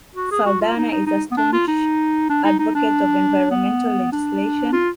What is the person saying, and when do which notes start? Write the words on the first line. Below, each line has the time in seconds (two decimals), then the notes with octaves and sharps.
Saldana is a staunch advocate of environmental legislation.
0.15 F#4
0.31 G#4
0.46 F#4
0.61 F4
0.77 D#4
0.92 D#4
1.07 D#4
1.31 B3
1.37 D4
1.53 F4
1.68 D#4
2.30 D4
2.44 D#4
2.59 D#4
2.75 D4
3.51 B3
4.12 D4
4.73 F4